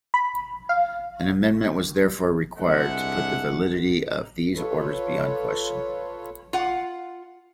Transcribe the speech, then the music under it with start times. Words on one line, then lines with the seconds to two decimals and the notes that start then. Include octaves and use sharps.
An amendment was therefore required to put the validity of these orders beyond question.
0.14 B5
0.69 F5
2.58 C2 G#3 D4 E5 F#5
4.55 F4 A4 B4 C#5
6.53 F4 F#5